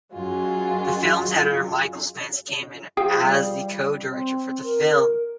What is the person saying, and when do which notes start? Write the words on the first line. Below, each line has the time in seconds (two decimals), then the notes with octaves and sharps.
The films editor Micheal Spence came in as the co-director for the film.
0.12 F#2 F#3 G#3 F4
2.97 F3 F4 G#4 G5
3.21 G3
4.07 C4
4.64 A#4